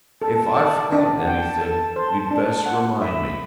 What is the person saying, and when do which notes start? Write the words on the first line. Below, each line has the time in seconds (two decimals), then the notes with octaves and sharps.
"If I've forgotten anything you'd best remind me."
0.22 A4 A5
0.56 D5
0.92 D4
1.15 F#5
1.27 G5
1.39 A5
1.61 A4
1.96 C5
2.31 D4
2.66 F#5
3.02 E5 B5